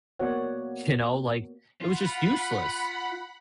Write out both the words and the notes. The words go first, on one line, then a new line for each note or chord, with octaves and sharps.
you know, like, it was just useless.
A#3 B3 F#4 C#5 D5 F#5
F4 F#5 B5